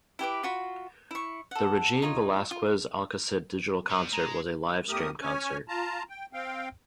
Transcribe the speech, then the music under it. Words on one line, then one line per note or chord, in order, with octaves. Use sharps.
The Regine Velasquez-Alcasid Digital Concert was a livestream concert.
E4 G4 B4 D6
F4 F#4 B5
E4 C#6
A4 F#5
D#4 F4 C#5
F4
G3 B4
G#3 A#5
E2 A3 G4 A#4 D#6
C#4 C#5 G#5
F4 A5 A#5
G5
C4 F5 G5